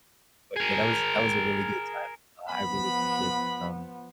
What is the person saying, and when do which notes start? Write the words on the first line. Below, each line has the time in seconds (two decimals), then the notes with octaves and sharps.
But yeah, that was that was a really good time. Uh, I really appreciate that, um,
0.56 G#4 A#4
2.49 F3 B3 B5